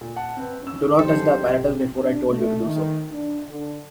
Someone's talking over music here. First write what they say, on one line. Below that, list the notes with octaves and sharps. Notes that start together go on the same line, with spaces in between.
Do not touch the apparatus before I told you to do so.
A#2
F#5 A5
C4 B4
C#4 E6
F#3 G4 A4 C5
D4
A3
D#3
D4
D3